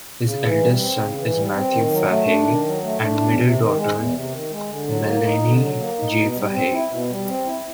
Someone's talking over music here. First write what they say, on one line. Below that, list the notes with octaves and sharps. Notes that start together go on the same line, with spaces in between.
His eldest son is Matthew Fahey and middle daughter Melanie J Fahey.
C#3
E3
G3
C4
C#3
E3
G3
C4
D#3
F#3
A3
D4
D#3
F#3
A3
D4
E2
C3
D#3
G#3
E2
C3
D#3
G#3
D3
F#3
A#3
D#4
D3
F#3
A#3
D#4
B2
G3
C4
E4
B2
G3
C4
E4